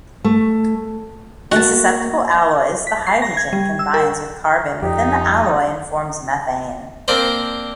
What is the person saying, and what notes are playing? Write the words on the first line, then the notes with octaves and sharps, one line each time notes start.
In susceptible alloys, the hydrogen combines with carbon within the alloy and forms methane.
A3
A#3 F#4 A5
B6
C7
A#6
G#6
G3
E6
A#4
F2 D#4 G4
A#3 C4 D4 C5